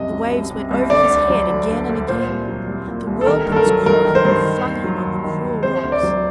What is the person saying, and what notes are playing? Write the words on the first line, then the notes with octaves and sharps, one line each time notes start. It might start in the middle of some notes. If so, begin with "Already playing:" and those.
The waves went over his head again and again, the whirlpools caught him and flung him on the cruel rocks.
Already playing: C2 F#2 C3 D#5
F#3
C2
C3
C2
D3 D5
D2
F#3
D2
D3
D2
A#2 C5
C2
F#3
C2
A#2
C2
A4
D#3 A#4
G2
A4
A#4
F#3
G2 A#4
D#3
C5
G2
D#3
D#2
F#3
D#2
D#3
D#2
C3 C5
D2
D5
F#3